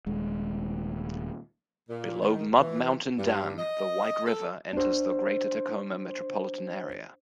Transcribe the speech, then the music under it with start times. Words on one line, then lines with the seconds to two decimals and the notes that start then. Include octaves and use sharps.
Below Mud Mountain Dam the White River enters the greater Tacoma metropolitan area.
0.06 D#1 G#3
1.89 A#2
2.20 D#3
2.58 E3
3.17 G2
3.58 D#5
4.25 A4
4.73 D4 C5